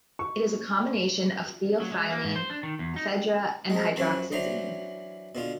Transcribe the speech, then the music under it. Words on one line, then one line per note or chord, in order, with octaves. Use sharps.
It is a combination of theophylline, ephedra, and hydroxyzine.
C#6
F#3
G#3
A#3
G#2
C5
D4
D#3
E2
D#4
G#3 C4
F#2 F3 F#3 C#4
E3 F#3 D4 C5 A#5
B2 D3 F4